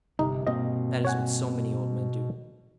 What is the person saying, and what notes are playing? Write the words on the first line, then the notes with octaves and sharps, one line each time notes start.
That is what so many old men do.
G1 C3 D#4
G2 B2 A#3 C4 D#5
C#5 F#5 G#5